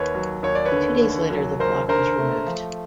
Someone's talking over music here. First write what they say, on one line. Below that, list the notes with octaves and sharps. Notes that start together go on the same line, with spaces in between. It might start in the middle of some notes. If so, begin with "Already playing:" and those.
Two days later, the block was removed.
Already playing: D#2 B4 C#5
F#3
D#2 C#5
D5
B4 C#5
D3
D#2
F#3
D#2 A#4 C5
D3 A#4 C5
A3
F3